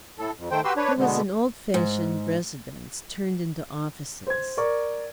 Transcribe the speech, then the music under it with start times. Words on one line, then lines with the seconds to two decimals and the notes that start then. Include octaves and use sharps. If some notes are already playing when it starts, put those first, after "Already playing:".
It was an old-fashioned residence turned into offices.
0.19 A2 A4
0.38 F2
0.51 D#3 A3 C5 G5
0.65 F#4 G4 B4 C6 E6
0.77 D4 B4 C#5
0.97 B2 D3 G#3 B3
1.74 G#2
4.27 C5 G#6
4.57 A#4 D5 C#6